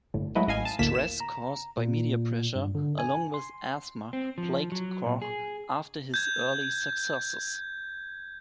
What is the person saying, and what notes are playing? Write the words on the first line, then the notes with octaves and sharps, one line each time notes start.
Stress caused by media pressure, along with asthma, plagued Koch after his early successes.
G1 A2
F#3 G#3 A3 E4 B4 D#5
A1 D#5 F5 G#5
A5
G1 D2 A2 A#3 B6 E7
E7
A#5
A#2
G2
D3
G#5
C6
C4
F3
F#3
A#2
G#4
G6 G#6